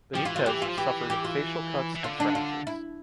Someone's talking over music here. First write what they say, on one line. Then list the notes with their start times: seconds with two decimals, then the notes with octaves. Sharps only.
Benitez suffered facial cuts and fractures.
0.14 F3 G4
0.25 E3 F4
0.36 D3 F4
0.46 E3 G4
0.62 F4
0.69 F3
0.78 E3 G4
1.10 G4
1.25 F4
1.96 E3
2.04 D3 F4
2.20 D4
2.35 F4
2.67 E4